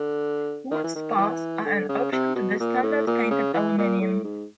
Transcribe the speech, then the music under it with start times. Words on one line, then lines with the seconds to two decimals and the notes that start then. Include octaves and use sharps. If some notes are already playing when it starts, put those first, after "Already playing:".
Wood spars are an option to the standard painted aluminum.
Already playing: D3
0.71 D#3
0.84 E3
0.95 D#3
1.18 E3
1.65 D3
1.89 C#3
2.12 C3
2.36 B2
2.60 A#2
2.83 A2
3.07 A#2
3.31 C#3
3.54 E3
3.78 A#2
4.01 A2
4.24 G#2